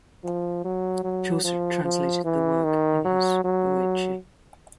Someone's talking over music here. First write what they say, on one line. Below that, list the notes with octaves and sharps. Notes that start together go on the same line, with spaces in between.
Chaucer translated the work in his "Boece".
F3
F#3
F#3
F3
F3
E3
D#3
F#3
F#3